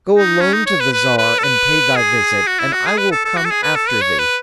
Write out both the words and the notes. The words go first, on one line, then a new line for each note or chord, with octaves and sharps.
Go alone to the Tsar and pay thy visit, and I will come after thee.
D#4
C#4
D#4
C#5
B4
B4
B4
A4
B4
G#4
F#4
E4
F#4
G#4
B4
A4
A4
F#4
A4
G#4
B4
A4
B4
C#5
B4